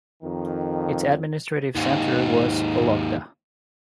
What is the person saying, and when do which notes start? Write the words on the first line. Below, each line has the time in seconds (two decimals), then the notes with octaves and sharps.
Its administrative centre was Vologda.
0.23 F2 D#3
1.75 D#2 G#2